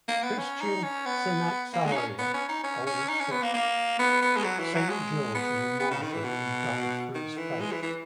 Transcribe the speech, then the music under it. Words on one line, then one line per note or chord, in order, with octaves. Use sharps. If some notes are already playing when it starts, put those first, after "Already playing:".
Christian synaxaria hold that Saint George was a martyr who died for his faith.
A#3
B3
C#4
D#4
C#4
B3
A#3
G#3
D#4
C#4
B3
C#4
D#4
C#4
C#4
D#4
C#4
B3
A#3
A#3
B3
B3
G#3
F#3
E3
F#3
G#3
B3
B3
C#3
D#3
E3
B2
D#3
E3
G#3
E3
E3